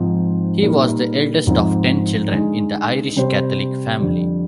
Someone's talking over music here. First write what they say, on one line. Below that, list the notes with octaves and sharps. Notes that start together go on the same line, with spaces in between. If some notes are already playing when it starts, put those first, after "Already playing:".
He was the eldest of ten children in the Irish Catholic family.
Already playing: G#2 F3 C4 D#4
A#2 G3 A#3 D#4 A#4
G#2 F3 C4
D3 G#3 D#4
C3 G3 C4 G4 C5
F2 D3 G3